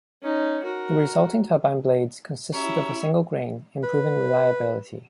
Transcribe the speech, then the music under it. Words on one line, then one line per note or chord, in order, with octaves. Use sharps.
The resulting turbine blades consisted of a single grain, improving reliability.
C#4 D#4
F#4 A#4
C#4 E4 F#4 G4 C#5 E5 A#5
B4